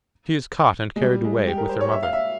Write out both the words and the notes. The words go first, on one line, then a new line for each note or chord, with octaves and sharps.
"She is caught and carried away--with her mother."
G#3
G3
G#3
G4
A#4
C5
C#5
E5
F5
E5